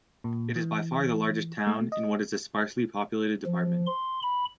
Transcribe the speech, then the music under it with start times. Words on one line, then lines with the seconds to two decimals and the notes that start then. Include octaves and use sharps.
It is by far the largest town in what is a sparsely populated department.
0.24 A#2
0.56 E3
1.67 A3
1.92 D#5
3.46 F3
3.87 C6
4.23 B5